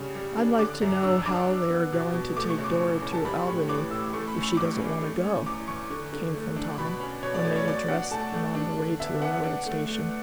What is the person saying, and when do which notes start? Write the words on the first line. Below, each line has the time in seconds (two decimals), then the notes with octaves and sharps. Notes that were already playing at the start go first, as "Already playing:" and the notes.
"I'd like to know how they are going to take Dora to Albany if she doesn't want to go?" came from Tom, when they were dressed and on their way to the railroad station.
Already playing: C#3 G3
0.15 G3
0.37 D4
0.59 D3 D6
0.81 F#2
1.03 D4 E6
1.26 D4 D6
1.48 D4
1.70 B3
1.93 B2
2.14 B2
2.37 A3 D6
2.50 C#6
2.58 C#3
2.64 D6
2.80 E3
3.02 C#3
3.13 A5
3.25 G3 B5
3.46 A2 C#6
3.68 E3 D6
3.90 A2 E6
4.13 A3 C#6
4.28 B5
4.36 C#4
4.42 C#6
4.57 G2 D6
4.80 C#4
5.01 A3
5.23 C#4
5.46 E2 D6
5.68 E2 C#6
5.90 D3
6.13 D3
6.35 A3
6.56 D4
6.78 B2 B5
7.00 C#4
7.23 B2 C#5
7.34 D5
7.45 A3 D5
7.56 C#5
7.67 B2 D5
7.88 D4 F#5
8.11 A3 A5
8.33 A3
8.55 D4
8.78 D3
9.00 B3 E5
9.21 B3 F#5
9.44 D4
9.66 A3
9.88 A3